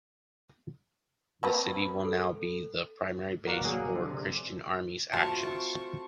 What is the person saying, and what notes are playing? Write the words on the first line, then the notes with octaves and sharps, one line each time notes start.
The city will now be the primary base for christian armies' actions.
A#3 C4 B4
A4
B3 F#4 A#4 D5 F5 F#5
F#3 A#3 G#4
D3
C3
A3 C4 F4 F#4 E5 A5 C#6